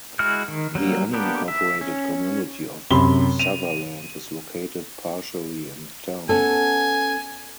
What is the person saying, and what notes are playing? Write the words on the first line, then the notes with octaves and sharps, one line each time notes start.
The unincorporated community of Sutherland is located partially in the town.
G#3 E4 F#4 F6
D#3
F#3 G3 A#3
A#3 B3 D4 G4
E5
C#4
F#2 C3 B5 C6 G7
D#7 F7
B3 C#4 A4 G#5